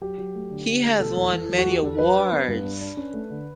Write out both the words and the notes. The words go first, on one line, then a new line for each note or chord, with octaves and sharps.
He has won many awards.
F#3 G4
F#3
A3
D3
D3
A3
B2 A4
E2
E2
E2
F#4
E2
G4
E2 A4
F#3 B4
D4
B3
G2
D4
D4
C#4
A3
D3